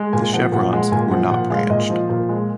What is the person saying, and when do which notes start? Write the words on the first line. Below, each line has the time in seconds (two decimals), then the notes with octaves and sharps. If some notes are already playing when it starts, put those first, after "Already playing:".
The chevrons were not branched.
Already playing: G#3
0.13 A#2 G#5
0.33 F3 F#5
0.52 A#2 F#5
0.72 G#3 F#5
0.92 A#2 G#5
1.11 F3 F#5
1.31 A#2 F#5
1.50 G#3 F5
1.70 A#2 D#5
1.90 F3
2.09 A#2
2.29 G#3